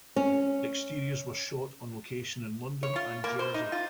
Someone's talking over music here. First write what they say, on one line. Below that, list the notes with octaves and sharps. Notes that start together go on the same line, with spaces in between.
Exteriors were shot on location in London and Jersey.
C#4
C#5
F4
A#3
C5
D#4
F4